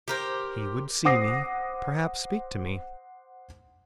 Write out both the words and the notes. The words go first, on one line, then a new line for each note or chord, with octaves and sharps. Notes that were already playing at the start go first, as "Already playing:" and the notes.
He would see me, perhaps speak to me!
G4 A#4 C5
C5 F#5 D6 D#6 A#6 C7